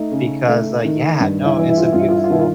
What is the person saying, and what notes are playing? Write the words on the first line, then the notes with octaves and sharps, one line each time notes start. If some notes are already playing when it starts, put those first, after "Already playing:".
because, uh, yeah, no, it's a beautiful
Already playing: A3 D#4
C#3
A3
D#3
G2
E4
E3
E4
F4
E4
G2 F4
E4
F4
E4
F4
D#3 E4
F4